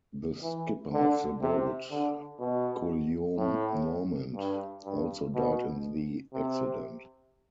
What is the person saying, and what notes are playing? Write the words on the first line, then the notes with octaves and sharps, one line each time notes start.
The skipper of the boat, Guillaume Normant, also died in the accident.
E3
D3
C3
D3
B2
A2
G2
G2
B2
C3